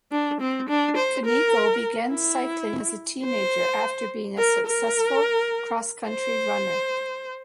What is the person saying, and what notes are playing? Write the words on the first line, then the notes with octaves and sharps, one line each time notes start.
Cunego began cycling as a teenager after being a successful cross-country runner.
D4
C4
D4
C5
A#4
E4
C5
A#4
A#4
C5